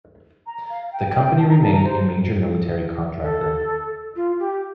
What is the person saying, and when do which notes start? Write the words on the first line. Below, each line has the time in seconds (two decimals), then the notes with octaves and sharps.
The company remained a major military contractor.
0.46 A#5
0.70 F5
0.83 F5
0.93 G5
1.08 G5
1.23 G5
1.38 A5
1.50 A#5
1.62 A5
1.74 A#5
1.85 C5
3.23 A4
4.16 F4
4.39 G4